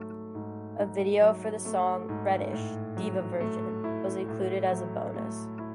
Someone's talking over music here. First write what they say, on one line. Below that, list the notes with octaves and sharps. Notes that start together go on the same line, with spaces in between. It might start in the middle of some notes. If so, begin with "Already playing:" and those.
A video for the song "Reddish: Diva Version" was included as a bonus.
Already playing: G#2 F#3 A3
G#2
G#2
F#3
A3
G#2
A2
F#3
A3
E4
A2
F#3
A3
E4